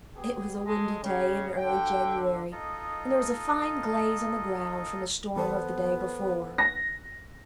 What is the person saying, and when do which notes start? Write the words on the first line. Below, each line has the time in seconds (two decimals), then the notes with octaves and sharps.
It was a windy day in early January, and there was a fine glaze on the ground from a storm of the day before.
0.15 B3 G4 G#4
0.65 G#3 G#4 A4 D#5
1.03 C#3 G4 C#5
1.56 D3 F#4 G5
2.52 D#4 F4 A4 D#5
5.36 E2 B3 A4 C5
6.58 A#6